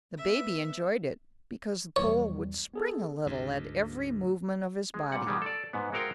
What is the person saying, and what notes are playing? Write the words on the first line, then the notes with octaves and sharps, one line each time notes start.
The baby enjoyed it because the pole would spring a little at every movement of his body.
B3 E5
B1 E2 G3 C#5
B3 G#4 A4
D2 G#2
G#3
A#2 G3 F#5
B2 D#3 G3 G#3
A4 D5
G#2 B3
G#3 C4 F#4 A#4 F5 G5